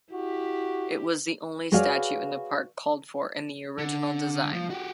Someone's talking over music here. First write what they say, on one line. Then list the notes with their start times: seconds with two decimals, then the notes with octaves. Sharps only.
It was the only statue in the park called for in the original design.
0.13 E4 F#4 G4
1.72 F#4 G#4 B4 C#5 D5 F5
3.78 D3
4.53 F3
4.70 F#4 G4